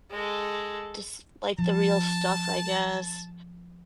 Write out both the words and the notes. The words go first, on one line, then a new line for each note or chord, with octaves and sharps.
just like the real stuff, I guess.
G#3 A4
F3 A5